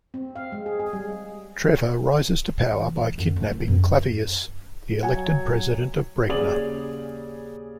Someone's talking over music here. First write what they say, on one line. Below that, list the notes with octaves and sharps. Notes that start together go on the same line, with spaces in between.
Trevor rises to power by kidnapping Clavius, the elected president of Bregna.
C4
F5
G#3
G#4
G#4
G3
E3
G#3
F#2
D2
E3
F#2
F#3 C#5 F#5 G#5
D#1 C#3 G#4 D5 F#7